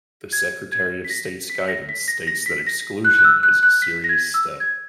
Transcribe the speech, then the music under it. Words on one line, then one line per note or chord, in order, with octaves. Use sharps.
The Secretary of State's guidance states that exclusion is a serious step.
G#6
G#6
B6
A#6
B6
A#6
B6
A#6
A#6
B6
A#6
F#6
F#6
E6
F#6
F#6
B6
A#6
G#6
E6
G#6